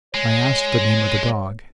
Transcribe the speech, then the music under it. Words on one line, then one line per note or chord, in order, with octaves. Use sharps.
I asked the name of the dog.
G#3 C#5